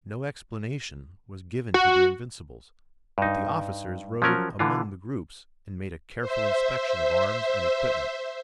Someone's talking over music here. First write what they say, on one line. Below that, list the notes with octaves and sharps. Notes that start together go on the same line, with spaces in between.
No explanation was given to the Invincibles, but the officers rode among the groups and made a careful inspection of arms and equipment.
F#4
G2 D#4
F3 F#3 C#4 A#4
D3 E3 F4
C5 E5